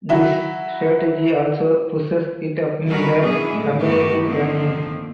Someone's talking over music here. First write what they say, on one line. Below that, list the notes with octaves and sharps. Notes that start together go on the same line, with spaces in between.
This strategy also pushes it up in the comparative rankings.
F#3 E4 F#4
D#3 G3 C#4 F#4 A#4 B4
B2 E3 F#3 C#4 D4 G#4
A2 G#3
G2 D#3 A3 B3 F#4 G4
D3 D#3 F3 A#3 C4